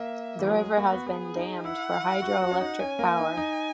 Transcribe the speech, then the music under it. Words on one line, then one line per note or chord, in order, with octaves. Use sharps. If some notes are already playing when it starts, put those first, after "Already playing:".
The river has been dammed for hydroelectric power.
Already playing: A#3 E5
E3
F#3 G#4
G#3
A#3 F#4
B3
B3 G#4
D#4
E4 F#5
F#4
F#4
C#4
D#4
C#4 G#5
A#3
D#4
D#4